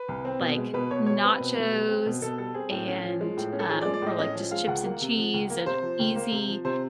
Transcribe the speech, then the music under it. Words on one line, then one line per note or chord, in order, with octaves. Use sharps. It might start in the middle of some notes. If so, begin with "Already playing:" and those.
like, nachos and, um or, like, just chips and cheese and easy,
Already playing: B4
C2
C4
B2
G#3
B2 B4
B2 C#5
G3 C#5
C4 B4
B2
B2
G3
C4
B2
B2 A4
G3 A4
C4 G#4
A2
C#4
F3
G#3
A2
C#4
A4
F3 G#4
D5
G#3
D5
A2 D#5
C#4 D#5
F3
G#3 F5
C#2 F#5
A#3
C3
F3
C#2
A#3
C3 C5
F3
C#2
A#3
C3
F3
C3 C5